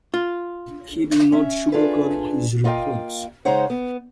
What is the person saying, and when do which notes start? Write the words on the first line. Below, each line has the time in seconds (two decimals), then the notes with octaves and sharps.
He did not sugar-coat his reports.
0.14 F4
1.32 C#4 E5
1.72 D4 F4 G#4 A4 B4
2.64 A#3 F4 D#5 F5 G5
3.45 C#3 G#3 D#4 C5 C#5 F#5
3.70 B3